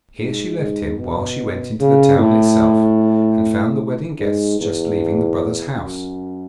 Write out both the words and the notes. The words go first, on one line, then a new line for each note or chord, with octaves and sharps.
Here she left him, while she went into the town itself, and found the wedding guests just leaving the brother's house.
G#2
G#2
B2
C#3
A2
G#2
E2
F#2